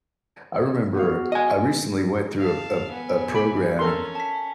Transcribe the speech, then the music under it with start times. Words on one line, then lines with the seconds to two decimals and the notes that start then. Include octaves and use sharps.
I remember, I recently went through a p a p a program
0.94 B3 F#4 F5
1.32 D#5 G#5
2.39 F5 A5
2.91 B3 G#5
3.35 B5 D7
3.79 C#4 A4 A#4 C6
4.15 A5 B6